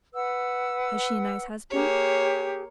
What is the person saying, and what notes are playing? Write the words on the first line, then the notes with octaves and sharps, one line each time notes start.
"Has she a nice husband?"
B4 F#5 E6
A#3 G4 G#4 C#5